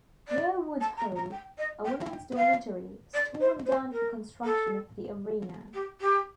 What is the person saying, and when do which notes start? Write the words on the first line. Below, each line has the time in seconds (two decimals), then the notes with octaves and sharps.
Yearwood Hall, a women's dormitory, was torn down for construction of the arena.
0.28 D5
0.80 A5
0.97 A#5
1.15 A#5
1.32 G5
1.57 D#5
1.84 G5
2.09 G5
2.36 F5
3.13 D5
3.40 C5
3.65 C5
3.91 A#4
4.44 A4
5.73 G4
6.00 G4